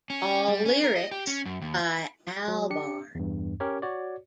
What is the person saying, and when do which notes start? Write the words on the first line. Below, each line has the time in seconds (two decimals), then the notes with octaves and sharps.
All lyrics by Albarn.
0.10 C#4
0.48 G3
0.65 C#4
0.84 A#4
0.96 D#5
1.11 G4
1.27 C#4
1.46 F#2
1.61 D#2
2.48 F#3
2.70 D4 G4 C#7
3.15 E2 G2
3.60 C#4 G4 A#4 C#5
3.82 F#4 C#5 D5